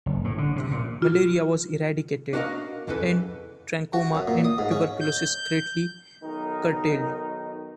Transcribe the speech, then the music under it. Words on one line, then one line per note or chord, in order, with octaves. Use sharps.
Malaria was eradicated, and trachoma and tuberculosis greatly curtailed.
F#1
A2
D3
C3
A#2
F4
D4 F#4 A#4 C5 D#5 F5
B1 F2 C#3 E3 A4 B4
F#4
F#2
A#2
D#6
G#2
C#4
G6
B1 D#3 D#4 A#4